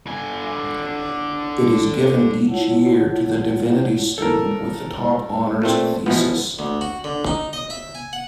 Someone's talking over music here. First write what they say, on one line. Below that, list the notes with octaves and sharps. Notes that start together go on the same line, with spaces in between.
It is given each year to the Divinity student with the top Honours Thesis.
D3 G#5
E4 F4 C#5 F#5 A5
A4 A#4
A#2 A3 C4
B2 E3 F3 B3
D2
F#4
D3
D#4
D#5
E5
G#5
F#5